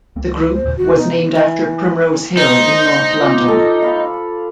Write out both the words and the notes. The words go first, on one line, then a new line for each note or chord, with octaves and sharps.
The group was named after Primrose Hill in North London.
C#2 A#3 C4
C5
D#2 A#2 C#3
E1 D#3 F#4
C3 B3 D#4
E3
D#4 C5
F4 D6
A4
F5 B5